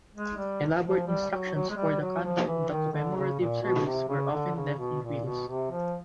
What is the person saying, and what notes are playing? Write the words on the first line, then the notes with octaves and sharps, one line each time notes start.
Elaborate instructions for the conduct of the commemorative service were often left in wills.
G#3
G3
F3
G3
F#3
F#3
G#3
G3
F#3
F3
E3
D#3
D3
C#3
A#2
B2
C3
C#3
D3
C#3
B2
A#2
B2
C3
F3